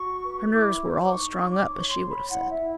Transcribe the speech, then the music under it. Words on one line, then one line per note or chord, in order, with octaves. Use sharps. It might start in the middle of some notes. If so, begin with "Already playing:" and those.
Her nerves were "all strung up," as she would have said.
Already playing: F#4 C#6
B4
E4 D6
C5
D6
D#4 C#6
C#6
C#5
D6
C#5 C#6
C6
C#5
B5
E4 F#5
E5
E4